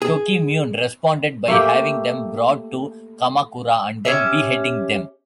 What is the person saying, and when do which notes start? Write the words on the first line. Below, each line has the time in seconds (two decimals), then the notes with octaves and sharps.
Tokimune responded by having them brought to Kamakura and then beheading them.
0.02 G#4
1.48 A3 A#3 G4
4.05 C#4 G4 E5